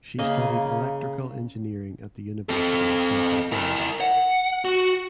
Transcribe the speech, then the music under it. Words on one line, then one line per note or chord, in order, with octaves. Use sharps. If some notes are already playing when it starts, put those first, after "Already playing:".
She studied electrical engineering at the University of Central Florida.
C#3 A#3 D#5
C4 A4
E4 A#4
F#5
F#4